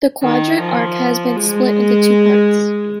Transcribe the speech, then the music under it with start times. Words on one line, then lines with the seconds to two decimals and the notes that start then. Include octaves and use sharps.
The quadrant arc has been split into two parts.
0.23 D#3
0.61 F3
1.36 G#3